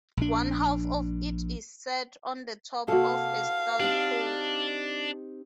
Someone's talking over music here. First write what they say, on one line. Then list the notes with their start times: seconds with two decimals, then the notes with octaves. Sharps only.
One half of it is set on the top of a stout pole.
0.17 A#1 D4
2.88 C3 A#3 F#4 A4 F5
3.80 C4 D4 D#4 G4